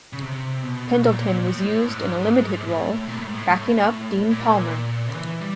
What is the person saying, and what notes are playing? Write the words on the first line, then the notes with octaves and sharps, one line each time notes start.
Pendleton was used in a limited role, backing up Dean Palmer.
C#3
C3
B2
A#2
A2
G#2
A2
A#2
A2
G#2
A2
A2
A#2
E3
G3